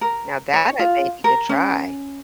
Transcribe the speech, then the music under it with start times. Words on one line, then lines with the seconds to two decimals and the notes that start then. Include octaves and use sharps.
Now that I may need to try.
0.01 A#4
0.53 C#5
0.79 F4
1.24 A#4
1.49 C#4